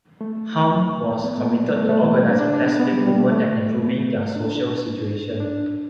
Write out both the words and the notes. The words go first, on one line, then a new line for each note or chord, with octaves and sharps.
Hahm was committed to organising lesbian women and improving their social situation.
A3
B3
A3
G3
A3
A3
E3
G3
D4
D4
D4
B3
B3
G3
G3
A3
A3
D4
D4